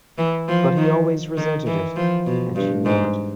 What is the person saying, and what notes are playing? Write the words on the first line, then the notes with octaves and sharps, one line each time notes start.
But he always resented it, and she knew it.
E3
F3
D#3
D#3
E3
F3
B2
G2
G#2